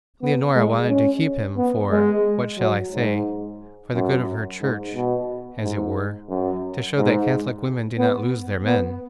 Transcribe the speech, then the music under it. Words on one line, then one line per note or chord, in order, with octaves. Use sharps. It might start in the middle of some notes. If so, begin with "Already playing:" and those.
Leonora wanted to keep him for--what shall I say--for the good of her church, as it were, to show that Catholic women do not lose their men.
B3
G#3
C#4
B3
G#3
F#3
G#2
F#2
G#2
B2
G#2
F#2
G#2
B3
B3